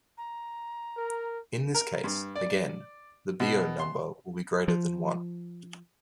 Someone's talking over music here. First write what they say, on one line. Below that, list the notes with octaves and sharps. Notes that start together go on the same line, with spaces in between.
In this case, again, the Biot number will be greater than one.
A#5
A#4
A#4
G2
D5
B2
C6
F3